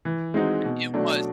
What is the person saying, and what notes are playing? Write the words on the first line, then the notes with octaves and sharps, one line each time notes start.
it was.
E3
G#3 C4 D#4 F#4
B2
F#3 A3 D4